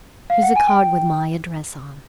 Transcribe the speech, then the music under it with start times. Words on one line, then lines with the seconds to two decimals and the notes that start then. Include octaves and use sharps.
Here's a card with my address on.
0.30 F5
0.42 F#5
0.56 G#5
0.67 G5